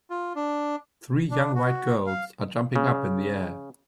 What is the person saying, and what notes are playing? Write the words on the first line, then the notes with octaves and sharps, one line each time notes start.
Three young white girls are jumping up in the air.
F4
D4
D4
F#4
F5
C#3